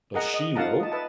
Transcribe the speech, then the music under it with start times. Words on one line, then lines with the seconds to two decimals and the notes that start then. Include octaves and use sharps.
"Does she know?"
0.14 G#4 A#4 D#5 F#5 A#5
0.34 D#5
0.56 D#4 F4 F5 F#5 A5 A#5
0.80 D#5 A5
0.92 B4 D#5 E5 A5